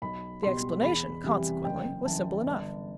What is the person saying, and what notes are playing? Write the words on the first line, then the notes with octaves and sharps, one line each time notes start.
The explanation, consequently, was simple enough.
B1 B5
B2 G3 C6
E2 B5
C3 E3 G3
F#1 G5
F#2 E3 A5
G1